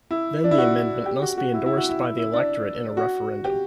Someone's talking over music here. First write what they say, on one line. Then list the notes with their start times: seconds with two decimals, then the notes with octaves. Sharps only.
Then the amendment must be endorsed by the electorate in a referendum.
0.11 E4
0.44 D4
0.51 E4
0.58 F#4
1.06 G4
1.22 F#4
1.38 F#4
1.54 E4
1.66 E4
1.77 F#4
1.89 E4
2.01 E4
2.17 E4
2.33 D4
2.97 F#4
3.44 G4